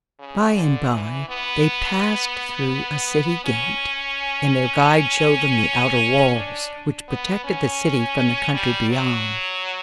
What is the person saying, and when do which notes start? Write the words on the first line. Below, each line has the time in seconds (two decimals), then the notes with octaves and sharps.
By and by they passed through a City gate and their guide showed them the outer walls, which protected the City from the country beyond.
0.19 C#3
0.55 D3
0.91 E3
1.28 B3
3.45 C#4
6.36 D4
7.08 B3
7.44 C#4
8.54 G3
8.90 F#3